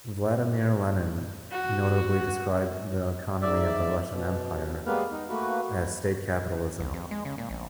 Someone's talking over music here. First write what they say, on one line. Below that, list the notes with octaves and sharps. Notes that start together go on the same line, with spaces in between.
Vladimir Lenin notably described the economy of the Russian Empire as state capitalism.
F#4
G#2 D5 E5
B2
G3 G#3 A#3 B3 B4 F5
D#4
A3 A#3 F#4 B4
C2
F2
G#3
C#3
A#2
A#1